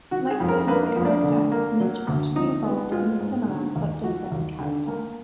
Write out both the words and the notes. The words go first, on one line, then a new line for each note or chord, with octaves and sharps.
Like certain other characters, Midge actually evolved from a similar but different character.
D#3 F#4
G#4
F2
A#4
A#3 B4
A#4
F2
D4
D3
A#3
F#3
D2
F3 D#4
B3
G#3 F4
G#2
D3
D#2
F3 F#4
D#2
D3
A#3